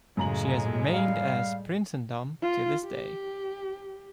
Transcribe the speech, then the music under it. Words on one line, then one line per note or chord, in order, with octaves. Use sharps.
She has remained as "Prinsendam" to this day.
F#2 A2 C#3 G#3 A#5 F#7
G3 F5
F4
G4